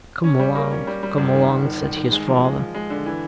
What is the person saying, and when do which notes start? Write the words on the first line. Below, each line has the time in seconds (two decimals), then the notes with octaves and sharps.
"Come along, come along!" said his father.
0.24 C#4
0.39 G3
0.55 A#3
0.71 C#4
0.87 G3
1.03 G3
1.18 G1
1.33 D#3
1.49 G1
1.65 D#3
1.81 D#3
1.96 D#3
2.11 G#3
2.28 F3
2.44 G#3
2.59 F3
2.74 G#3
2.90 D3
3.06 E3